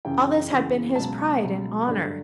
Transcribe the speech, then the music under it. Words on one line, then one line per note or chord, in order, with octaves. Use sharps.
All this had been his pride and honor.
F#2 C#3 E3 G5
F#2 C#3 E3
C#2 B2 F#3 A5
C#6
C#2 B2 F#3
G2 D3 F#3